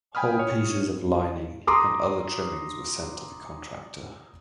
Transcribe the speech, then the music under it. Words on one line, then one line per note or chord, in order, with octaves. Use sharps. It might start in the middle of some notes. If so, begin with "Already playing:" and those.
Whole pieces of lining and other trimmings were sent to the contractor.
G5 G#5 B5 D#6 F6
C#5
A#5 C6 D6 D#6